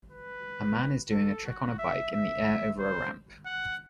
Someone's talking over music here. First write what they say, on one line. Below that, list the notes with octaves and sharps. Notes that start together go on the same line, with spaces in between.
A man is doing a trick on a bike in the air over a ramp.
B4
A4
F#4
E5
E5
C5
F#5